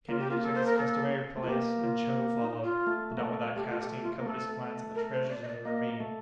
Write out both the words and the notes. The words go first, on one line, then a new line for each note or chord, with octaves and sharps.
Kennedy took his customary place, and Joe followed, but not without casting a covetous glance at the treasures in the ravine.
A#3 F4
G4
A#3 F4
A4
C5
A#4
A4
A3
F4
A#3 G4
G4
F4
G4
D#4
F4
A3
A#3
A3
A3 G4
F4
G4
G4
F4
A#3
A3 A4
A#4
C5
D5
D#5
D5
A#3 D#5
A3